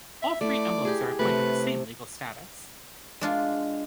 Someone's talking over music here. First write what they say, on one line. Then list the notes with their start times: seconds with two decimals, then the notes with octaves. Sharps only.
All three emblems are appointed the same legal status.
0.22 E5
0.41 A3 E4 D5
0.85 G4 G#4
1.19 C3 A3 B4
3.21 G#3 D4 F4